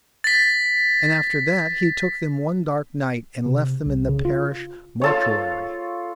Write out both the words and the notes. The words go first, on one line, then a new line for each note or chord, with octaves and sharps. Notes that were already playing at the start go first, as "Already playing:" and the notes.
And, after that, he took them one dark night and left them in the parish mortuary.
A6 B6
C3
C2
C#3
F4
F4 A4 C#5